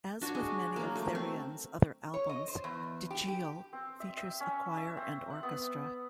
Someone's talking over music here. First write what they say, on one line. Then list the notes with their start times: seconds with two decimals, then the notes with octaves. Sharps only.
As with many of Therion's other albums, "Deggial" features a choir and orchestra.
0.21 D4 F#4 C#5
0.35 G#3
0.76 F#3 A#3
0.95 A3
1.15 C4
2.14 C#5
2.29 D#5
2.48 C5
2.64 E2
3.11 G4
3.28 G4
3.73 C4
4.00 E5
4.17 E5
4.40 C#4
4.77 E5
4.97 C4
5.30 F#5
5.43 B3